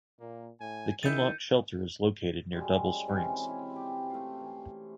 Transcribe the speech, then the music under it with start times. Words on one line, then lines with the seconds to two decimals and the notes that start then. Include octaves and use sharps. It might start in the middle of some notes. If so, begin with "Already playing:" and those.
The Kinlock Shelter is located near Double Springs.
0.20 A#2 A#3
0.61 A2 G#5
1.03 D#3 E4 G#4 G6 A6 C#7 D#7
2.53 F#2 G3 G#3
3.07 C3 E3 C4 C#4
3.48 E4
3.76 G4
4.10 A3 F4
4.41 E3